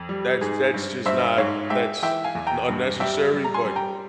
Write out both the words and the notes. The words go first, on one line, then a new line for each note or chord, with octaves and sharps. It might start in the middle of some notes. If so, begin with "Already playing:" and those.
That's that's just not that's n unnecessary, but
Already playing: F2
G3
G#2 G#4
G2
G2 C5 E5
G#2 C#5 F5
G#3 E5 G5
E3 E5 G5
F5 G#5
E2
G5 A#5
G2
G3 E5 G5
G3
A#5
G#5 C6
G3
G5 A#5